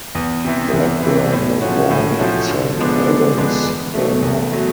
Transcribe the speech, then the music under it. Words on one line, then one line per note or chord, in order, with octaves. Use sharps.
Blackburn was born in Saint Albans, Vermont.
E2
C3 E3
E2
C3 E3
A2
F3 A3 C#4 F#4
A2
F3 A3 C#4 F#4
D3
F3 G#3 B3 D4
D3
F3 G#3 B3 D4
E2
B2 F#3 A3
E2
B2 F#3 A3